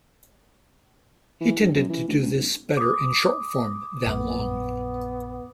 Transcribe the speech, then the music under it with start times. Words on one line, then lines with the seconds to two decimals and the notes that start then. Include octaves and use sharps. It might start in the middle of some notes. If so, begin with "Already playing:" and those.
He tended to do this better in short form than long.
1.41 E3
1.61 G2
1.75 F#2
1.89 E3
2.08 D2
2.22 C#2
2.34 B1
2.77 D6 D#6
4.06 A#1 F#2 B3